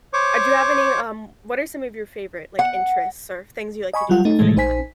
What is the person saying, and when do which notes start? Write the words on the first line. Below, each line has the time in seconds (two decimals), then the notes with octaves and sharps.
Uh, do you have any, um, what are some of your favorite, like, interests or things you like to do with your free time?
0.13 C5 C#5 C#6 D6
2.59 F#5
3.93 D#5 G#5 B5 C#6
4.09 F#3 G3 F4 F#5
4.25 A3 D#4
4.39 A2 C3 D#3 E3 G#3 A3
4.56 A#1 D#4 C5 G#5 B6